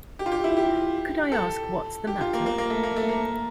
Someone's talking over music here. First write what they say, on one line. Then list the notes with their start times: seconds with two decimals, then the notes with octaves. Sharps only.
Could I ask what's the matter?
0.19 G4
0.26 F4
0.32 G4
0.44 E4
0.57 G4
1.32 A4
2.07 G4
2.21 F4
2.33 A#3
2.46 A#3
2.58 A#3
2.70 A3
2.83 A#3
2.96 A3
3.09 A#3